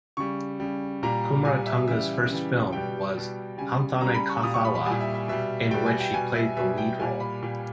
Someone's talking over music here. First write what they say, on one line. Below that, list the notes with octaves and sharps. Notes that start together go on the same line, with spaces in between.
Kumaratunga's first film was "Hanthane Kathawa", in which he played the lead role.
C#3 G3 C#6
C#3 G3
A#2 G3 A#5
A#2 G3 G#5
E5
C#3 E3 G3 E5
C#3 E3 G3
B2 G3 G5
B2 G3
C#3 G3 G#5
C#3 G3 A#5
B5
C#6
A#2 G3 D#6
C#6
B5
B5
A#2 G3 G#5
E5
E5
B2 G3 E5
B2 G3 G5
G#5
G5
B2 G3 G#5
E5
B2 G3 E5
G5
A#2 G3 G#5
B5
A#2 G3